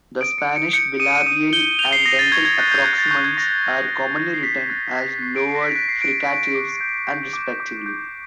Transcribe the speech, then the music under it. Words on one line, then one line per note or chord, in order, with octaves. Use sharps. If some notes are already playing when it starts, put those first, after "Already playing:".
The Spanish bilabial and dental approximants are commonly written as lowered fricatives, and respectively.
D#6 D7
C#7
G6
C#7
G6 C#7
D#6 D#7
D#7
D#6 D#7
G6 G7
G6 F7
C7
D#6 A#6
A6
C#6 G#6
G#6
F#6 G6
G6
F#6 G#6
A6
C#6 G6
G#6
C#6 A#6
F#6
F#6
C#6
C7
C#6 B6
F#6 A6
F#6 A#6
B6
C#6 C7
D7
C#6 C7
A#6
B6
F#6 B6
C7
F#6 D7
C#6
D6
G6
G6
D6
D6
G6